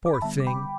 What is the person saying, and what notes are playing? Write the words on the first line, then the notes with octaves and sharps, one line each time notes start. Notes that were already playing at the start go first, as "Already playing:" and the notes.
Poor thing!
D6
B5
D3 G3 B3 E5 A5
D6
G5 B5